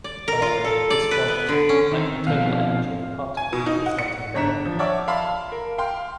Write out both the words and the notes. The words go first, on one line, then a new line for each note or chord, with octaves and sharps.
However, this quantity, like the total energy of a particle, is not invariant.
D5
A#4
F4
A4
D5
B4
B3
D3
C#4
D#3 C4
B2 F3 F5
G#5
B2
D#4
F#5
C#7
G1 D4 A#5 B6 E7
F3
C#5 D5 E5 F#5 A5 D6
E5 F5 A5 B5 C6
A#4
F5 G5 C6